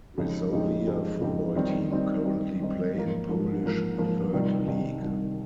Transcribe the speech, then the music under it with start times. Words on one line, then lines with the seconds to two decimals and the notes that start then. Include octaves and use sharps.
Resovia football team currently play in Polish Third League.
0.17 F2 C#3 G#3 D#4 G4
0.52 F2 C#3 G#3 D#4 G4
0.86 F2 C#3 G#3 D#4 G4
1.21 F2 C#3 G#3 D#4 G4
1.56 D#3 G3 C4 D#4
1.90 D#3 G3 C4 D#4
2.25 D#3 G3 C4 D#4
2.59 D#3 G3 C4 D#4
2.94 G#2 F3 A#3
3.29 G#2 F3 A#3
3.64 G#2 F3 A#3
3.98 G#2 F3 A#3
4.33 C2 C3 D#3 G3
4.67 C2 C3 D#3 G3
5.02 C2 C3 D#3 G3